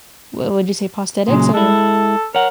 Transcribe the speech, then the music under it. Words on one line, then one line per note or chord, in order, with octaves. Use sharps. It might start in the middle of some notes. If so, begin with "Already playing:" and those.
what would you say prosthetics, or?
A#2 C#3 F#3 G#3
G#3 E4 A4
A#4 C#5 F#5